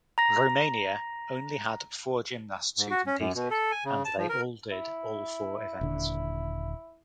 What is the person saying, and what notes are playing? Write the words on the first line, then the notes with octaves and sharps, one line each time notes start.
Romania only had four gymnasts who competed and they all did all four events.
A#5 A#6
G#2
F#4
C#4
F#2
B2
A4
G#5
C#3
A5
F3
A#4
E4
D#1 D3